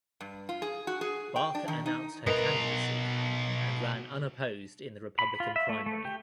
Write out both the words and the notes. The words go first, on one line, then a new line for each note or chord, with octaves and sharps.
Barker announced her candidacy and ran unopposed in the Republican primary.
G2
F4
G#4
F#4
G#4
G5
D4
D#3
D#4
B2 A#4 B4 D#5 A#5
B5
F4
E5
A3
A3
G4